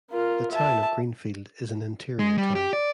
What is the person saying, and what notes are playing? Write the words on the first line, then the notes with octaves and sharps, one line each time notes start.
The Town of Greenfield is an interior town.
F4 A#4
E5 A5
G#3
G3
G4
D5